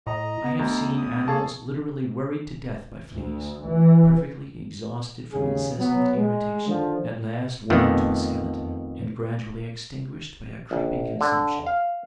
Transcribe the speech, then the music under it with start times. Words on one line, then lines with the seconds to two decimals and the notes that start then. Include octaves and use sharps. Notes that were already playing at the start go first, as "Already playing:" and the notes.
I have seen animals literally worried to death by fleas, perfectly exhausted from incessant irritation, at last worn to a skeleton, and gradually extinguished by a creeping consumption.
0.07 A2 D#5 A#5
0.44 B3
0.59 D2 D#4
0.97 D#6
1.28 A#3 G#4 A4 C#5 A5
3.12 D2
3.67 E3
5.32 D#2 C#3 G#4
5.79 F#3 B3
6.17 G#3
6.67 D3 D#3 F3
7.70 F2 D#3 A3 B3
10.71 A#1
11.21 D3
11.66 F5